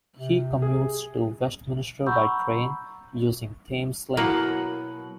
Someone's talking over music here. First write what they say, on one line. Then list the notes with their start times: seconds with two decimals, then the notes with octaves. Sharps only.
He commutes to Westminster by train, using Thameslink.
0.17 C3
0.62 G#4
2.06 F#5 A#5 B5 C#6 E6 G6
4.17 B2 F#3 A#3 E4 F#4 F#5 A#5